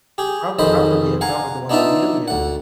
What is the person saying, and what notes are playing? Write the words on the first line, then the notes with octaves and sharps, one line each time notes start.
Crawford Crawford, yeah, Crawford, the one that beat him? Yeah.
G4 G#4
A#1 F2 D#3 C5 D#5 B5
F5 F#5 G#5 A#5
B3 D4 D#4 F4 E5 A5
D2 F#5